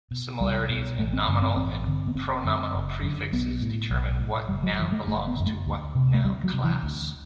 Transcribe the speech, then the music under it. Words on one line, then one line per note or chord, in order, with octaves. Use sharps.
Similarities in nominal and pronominal prefixes determine what noun belongs to what noun class.
B2
C2 G3
B2
A1 A3
C4
G2 D3
C4
A1 C4
G2 D3
B3
F#1 C4
F#2 D3
F#1
F#2 D3
B1 B3
A2
B1
A2
F#1 G3
F#3
F#2 D3 E3
A3
F#1 A3
B3
F#2 D3
A3
D2
C3
A3
D2 G3
F#3
C3
E3
D2